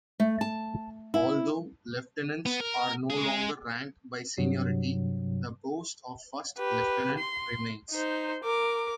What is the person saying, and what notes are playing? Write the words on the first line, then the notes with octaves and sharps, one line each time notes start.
Although lieutenants are no longer ranked by seniority, the post of "first lieutenant" remains.
A3
A5
E4
B3
A#4
G#3 G#4
G2 C3 F#3
G4 B4
C6
D#4 C5
A#4 D6